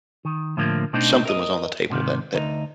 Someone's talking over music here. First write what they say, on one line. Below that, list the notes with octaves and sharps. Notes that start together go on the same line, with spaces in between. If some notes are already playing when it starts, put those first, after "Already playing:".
something was on the table that that
D#3
A2 D3 F3 A#3
B2 A3 C4 D4 D#4
A#4 D#5
G#2 C3 D#3
D2 D#4